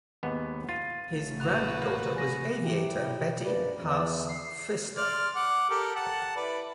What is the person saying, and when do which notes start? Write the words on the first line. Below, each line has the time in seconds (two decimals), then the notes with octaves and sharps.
His granddaughter was aviator Betty Haas Pfister.
0.23 D#2 G#2 B3
0.69 F4 A6 D#7
1.10 A1 C#3 A3
1.40 F#4 B4 F#6 F7
1.82 A#3
2.16 G#5 A#6 D#7
2.62 E3 F#3 E4 G4
2.98 B2
3.44 A#1 F#2 B4 D5
3.82 E2
4.29 C7
4.97 D5 C6 F6
5.35 F#5 D6
5.70 G4 A4 A#4
5.96 F#5 A5
6.36 E4 B4 D5